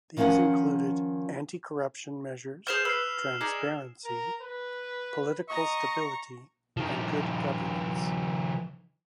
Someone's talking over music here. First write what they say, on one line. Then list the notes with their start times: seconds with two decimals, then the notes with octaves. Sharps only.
These included anti-corruption measures, transparency, political stability and good governance.
0.17 D#3 F3 C#4 A4 F5 F#5
2.67 G#4 C5 F6 G6 E7 F7
2.85 B4 E6 F6 C7
3.41 D#4 G#4 D5
4.05 A#4
4.41 B4
5.49 D#5 A#5 C#6
6.77 D#3 F3